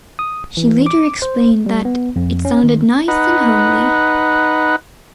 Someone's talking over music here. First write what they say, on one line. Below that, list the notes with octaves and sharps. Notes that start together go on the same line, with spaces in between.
She later explained that "it sounded nice and homely".
D#6
E3
D6
C5
G3
B3
F2
C#4
D#3
D#4 B4 F#5